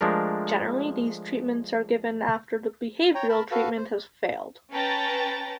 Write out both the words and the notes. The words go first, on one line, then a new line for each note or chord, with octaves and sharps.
Generally, these treatments are given after the behavioral treatment has failed.
F3 G#3 A3 D4 A#4
C#5 G5 A#5
A#4 A5 B5
F#4 A4 B4 F5
C5
C#4 B4 G5 A5 A#5 A6